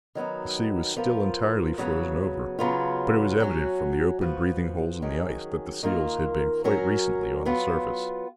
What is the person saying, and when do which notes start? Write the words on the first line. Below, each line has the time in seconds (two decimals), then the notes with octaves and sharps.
The sea was still entirely frozen over, but it was evident from the open breathing holes in the ice, that the seals had been quite recently on the surface.
0.15 D#3 F#3 B3 D#4
0.97 F3 B3 F4 A#4
1.78 C#3 F#3 B3
2.59 C#3 F#3 B3 F4
3.40 F#3 C#4 F#4
4.21 F3 B3 F#4
5.02 D#3 F#3 C#4 G#4
5.83 D#3 A#3 F4 A#4
6.64 F#3 C#4 F#4 A#4
7.45 F#3 B3 F4